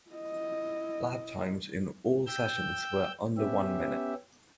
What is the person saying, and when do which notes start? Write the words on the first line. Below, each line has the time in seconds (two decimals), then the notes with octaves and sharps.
Lap times in all sessions were under one minute.
0.10 E4 D#5
2.27 G5 E6 G6
3.37 B3 C#4 G4 E5